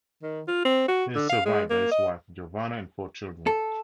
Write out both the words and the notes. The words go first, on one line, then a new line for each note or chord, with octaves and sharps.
He is survived by his wife, Giovanna, and four children.
D#3
F4
C4
F#4
D3
F5
G#3
A#3
D#5
A4